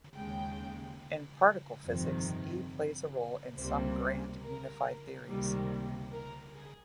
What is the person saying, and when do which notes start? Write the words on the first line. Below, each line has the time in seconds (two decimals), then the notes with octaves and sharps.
In particle physics, E plays a role in some grand unified theories.
0.14 D#2 C#3 G#3 G5
1.85 G1 F2 C3 D#3
3.55 C#2 C3 G3 A#3 C5
4.41 A#4
5.27 C#2 C3 D#3 G3 A#3
6.12 A#4
6.55 G#4